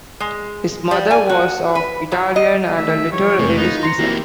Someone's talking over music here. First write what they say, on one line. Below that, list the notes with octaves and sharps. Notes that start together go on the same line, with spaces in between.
His mother was of Italian, and "a little Irish", descent.
G#3
G3
G#5
F#4
B4
F#3
D#5
D#3 A3 E5
F3 G3 C#5
F2 C3 G#3 A3 B3 G#5
B3 D#4 F4 A#4
A#5 C6 C7 C#7
E3 A#3 C4 E4 F#4 G4